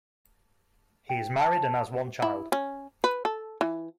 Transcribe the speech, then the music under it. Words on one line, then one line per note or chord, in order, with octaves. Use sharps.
He is married and has one child.
G5
A5
E4
C#4
B4
A4
E3